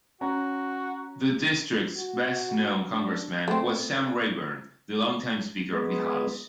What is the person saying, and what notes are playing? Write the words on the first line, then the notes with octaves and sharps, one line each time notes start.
The district's best-known congressman was Sam Rayburn, the longtime Speaker of the House.
C#4 F#4 A#5
F#4
D4
A3 C4
G#3 B3